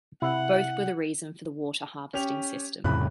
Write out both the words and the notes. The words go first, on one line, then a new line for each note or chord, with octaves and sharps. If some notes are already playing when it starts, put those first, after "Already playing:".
Both were the reason for the water harvesting system.
C3 E4 F#5
C#4 G4 F7
C2 F2 A2 C#3 B5 F#6